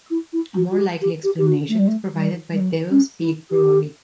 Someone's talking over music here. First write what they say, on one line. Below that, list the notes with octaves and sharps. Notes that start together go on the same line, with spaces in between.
A more likely explanation is provided by Devil's Peak Brewery.
E4
E4
F#4
F#4
G4
G4
G4
G4
F#4
A3
G3
A3
G3
G3
F#3
C#4
E4
G4